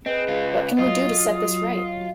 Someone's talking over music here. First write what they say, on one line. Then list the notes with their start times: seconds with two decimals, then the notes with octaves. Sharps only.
What can we do to set this right?
0.06 C4 G#4 B4 D#5
0.28 C#3 F4
0.78 F#3 F4 D#5 D#6